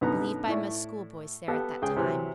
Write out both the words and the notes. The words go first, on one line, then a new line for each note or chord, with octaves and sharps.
Believed by most schoolboys there at that time.
F#2 B2 D3 B3 D#4 A#5
A2 E4 D5 C#6
B3 G4 A4 F5
C#2 G#4 G5
C3 E3 F#3